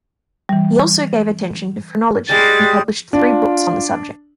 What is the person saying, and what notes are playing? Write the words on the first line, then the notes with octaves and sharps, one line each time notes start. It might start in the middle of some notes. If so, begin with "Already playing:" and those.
He also gave attention to phrenology, and published three books on the subject.
E3 G3
G3 G#3 A6
D4 F4